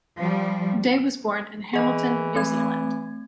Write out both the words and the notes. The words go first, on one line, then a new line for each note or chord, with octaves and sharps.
Day was born in Hamilton, New Zealand.
F3 G3
E3 G#4 D#5
A3 C4 G#6